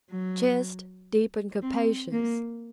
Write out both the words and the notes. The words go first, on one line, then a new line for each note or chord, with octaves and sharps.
CHEST--Deep and capacious.
F#3
C4
A#3